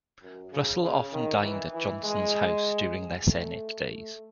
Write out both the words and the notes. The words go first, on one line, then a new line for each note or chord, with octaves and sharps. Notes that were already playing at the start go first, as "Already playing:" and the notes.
Russell often dined at Johnson's house during their Senate days.
F#2
C#3
C#3
D#3
E3
E3
G#3
A3
A3